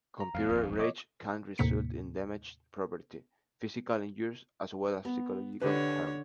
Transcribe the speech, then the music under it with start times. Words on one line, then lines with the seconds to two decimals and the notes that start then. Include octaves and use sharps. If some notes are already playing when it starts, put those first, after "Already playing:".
Computer rage can result in damaged property, physical injuries, as well as psychological harm.
0.20 A#5
0.35 F2 G#2 B2 F5
0.49 D#1 G#1 F2
0.79 C#5 D#5 D6
1.58 D#2 A2 C3 A#3 B6 C#7
5.05 B3
5.62 D3 G4 B4 C#5